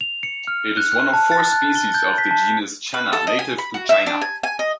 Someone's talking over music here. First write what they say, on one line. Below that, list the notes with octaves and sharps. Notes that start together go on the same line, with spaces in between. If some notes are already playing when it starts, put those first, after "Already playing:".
It is one of four species of the genus "Channa" native to China.
F7
C#7
F6
F#6
F#6
A5
A6
F#6
G7
G6
B6
A5
B4
A4
D#5
G#5
B5
F#4
E5
D4
G#5
G#5
D#5